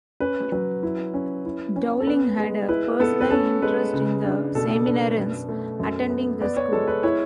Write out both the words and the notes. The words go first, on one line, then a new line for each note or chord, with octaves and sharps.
Dowling had a personal interest in the seminarians attending the school.
C#4 B4
F#3 B4
E4
C#4
E4
C#4
A4
B3 B4
G#3
E4 B4
B3 A4
B4
C#4 A4
G#3 B4
C#3
D4
B2 A4
D4 B4
F#2
A3
F#2
B3
B3 D5
C#5
G#3 A4
B4
E4 C#5